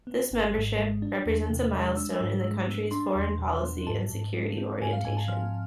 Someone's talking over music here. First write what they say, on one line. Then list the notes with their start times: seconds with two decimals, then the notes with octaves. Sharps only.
This membership represents a milestone in the country's foreign policy and security orientation.
0.07 B3
0.31 G#1
0.55 G#2
0.79 G#3
1.02 D4
1.26 E2
1.50 C3
1.74 G#3
1.97 D4 E6
2.21 G#2
2.44 G#3
2.67 B3
2.91 D4 C6
3.15 E2
3.39 B2
3.63 B3
3.87 G#2 A5
4.10 G#2
4.33 G#3
4.58 C4
4.81 G#2 G#5
4.93 F5
5.04 G#2 G#5
5.17 A5
5.28 F3 F6